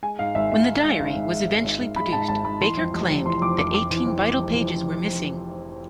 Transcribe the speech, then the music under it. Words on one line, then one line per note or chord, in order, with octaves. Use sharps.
When the diary was eventually produced, Baker claimed that eighteen vital pages were missing.
G#3 G#5
G#2 F5
G#1 E5
G#1 E5
G#3
G#2
G#1
G#1
G#3
G#2
G#1
G#1
G#3 B5
G#2 A5
G#1 A5
G#1 B5
E3 C6
F2
F1
F1
E3 C6
F2 D6
F1 D6
F1 D6
E3
F2
F1
F1
E3